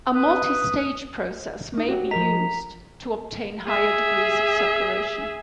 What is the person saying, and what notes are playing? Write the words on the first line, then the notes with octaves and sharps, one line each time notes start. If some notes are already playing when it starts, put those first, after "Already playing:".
A multistage process may be used to obtain higher degrees of separation.
B4 D#6
A3 D#4
F#4 G4 C#5
F3 A#4 D#5 A#5 B6 F7
G#4 E5